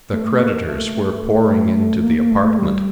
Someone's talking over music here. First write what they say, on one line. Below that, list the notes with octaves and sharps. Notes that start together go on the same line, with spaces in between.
The creditors were pouring into the apartment.
A3
A#3
A3
A3
A3
A#3
A#3
A3
G3